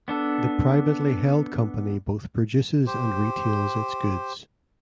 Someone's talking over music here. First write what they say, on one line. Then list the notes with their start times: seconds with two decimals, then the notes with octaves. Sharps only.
The privately held company both produces and retails its goods.
0.08 B3 D4 A4
2.87 G4 C5